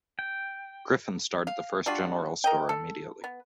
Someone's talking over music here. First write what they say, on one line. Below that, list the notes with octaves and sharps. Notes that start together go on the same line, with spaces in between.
Griffin started the first general store immediately.
G5
F5
G3 D4 F4 F#4
A#4 D#5 G5
A4
B3